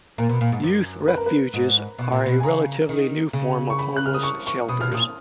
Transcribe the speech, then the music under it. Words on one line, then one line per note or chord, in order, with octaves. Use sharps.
Youth refuges are a relatively new form of homeless shelters.
A#2 A#4
B2
A#2
G#2
F#2
B4
A#4
B4
G#2
B2
A#2
B2
G#5
C#3 A#5
D#3
C#3
C#6
B5
F#6
F6
D#6
C#6
C#6
B2 D#6
B2 F6
A#2 D#6